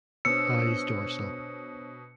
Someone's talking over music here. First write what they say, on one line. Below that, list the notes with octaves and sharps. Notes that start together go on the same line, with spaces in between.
Eyes dorsal.
B2 D4 C5 C#5 E6 C#7